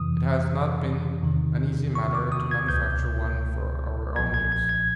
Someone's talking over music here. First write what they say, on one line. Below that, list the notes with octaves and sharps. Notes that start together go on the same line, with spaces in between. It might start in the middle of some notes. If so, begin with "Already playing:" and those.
It has not been an easy matter to manufacture one for our own use.
Already playing: F2 C3 E3 D#6
E2 C3 D#3
C#6
D6
D#6
G#6
C#2 B2 G6
B1 A#2 F3 G#6
G#6
G#6
G#6